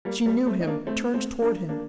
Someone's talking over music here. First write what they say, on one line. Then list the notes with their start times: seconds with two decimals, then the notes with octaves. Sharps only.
She knew him, turned toward him.
0.05 G3 A#3
0.26 G3 A#3
0.46 A3 C4
0.60 D#4
0.67 A#3 D4
0.87 A3 C4
1.14 A3 C4
1.42 A#3 D4
1.69 A#3 D4